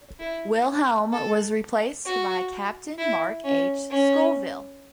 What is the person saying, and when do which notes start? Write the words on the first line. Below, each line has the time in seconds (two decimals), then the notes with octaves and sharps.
Wilhelm was replaced by Captain Mark H. Scovill.
0.20 E4
1.12 A4
2.05 F#4
2.98 E4
3.44 C#4
3.91 C#4